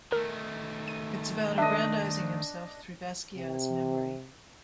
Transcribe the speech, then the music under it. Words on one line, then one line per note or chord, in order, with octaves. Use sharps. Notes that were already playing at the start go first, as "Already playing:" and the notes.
It's about aggrandizing himself through Basquiat's memory.
D#3 A3 A#4
D#7
D4 D#5 E5
C3